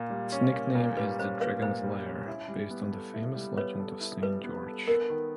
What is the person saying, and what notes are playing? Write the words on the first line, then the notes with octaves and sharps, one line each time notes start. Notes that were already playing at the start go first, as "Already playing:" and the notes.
Its nickname is "The Dragon's Lair" based on the famous legend of Saint George.
Already playing: A#2 A#3
G3
C#4
A#3
A#2
G3 B4
C#4 C5
A#3 B4 C#5
A#2 C5
G3
C#4
E4
G3
B3
A4
E4
G3
B3 B4 C#5
A4
E4
G3 B4
B3
A4
B3 A#4
D#3